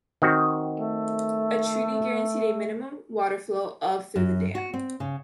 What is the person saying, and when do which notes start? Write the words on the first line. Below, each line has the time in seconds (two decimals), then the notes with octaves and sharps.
A treaty guaranteed a minimum water flow of through the dam.
0.22 D#3 C4 F#4
0.80 A3
4.16 F#2
4.55 F#4
4.74 C4
5.00 C#3